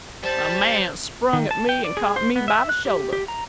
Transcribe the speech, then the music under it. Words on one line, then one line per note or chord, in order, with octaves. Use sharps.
A man sprang at me and caught me by the shoulder.
G3 C5 A5
D#3
A5
G5
D5
G#4
C5
B3
E5
F#6
G4
G4
A#5